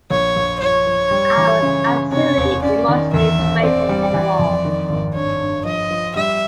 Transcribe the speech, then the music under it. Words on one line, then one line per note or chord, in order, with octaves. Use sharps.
I was absolutely emotionally drained at the end of it all.
A#1 C#5
A#1
F3 C#5
F3
G3
E3
C#3
C#3
C3 C#5
E1
C#4 D5
D#3
E2 E5
E1
C4 D5
G3
E3
F2
D#3
G#1
G2 C#5
G2
F3 D#5
F3
G3 E5